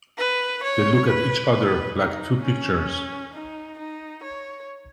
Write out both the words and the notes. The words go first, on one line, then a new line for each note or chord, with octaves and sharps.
They look at each other, like two pictures.
B4
C#5
B4
B4
D#4
C#4
D#4
D#4
C#5